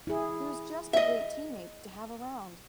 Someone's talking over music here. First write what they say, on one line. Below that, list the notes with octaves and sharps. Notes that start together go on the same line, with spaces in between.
He was just a great teammate to have around.
E4 G#4
D#5 E5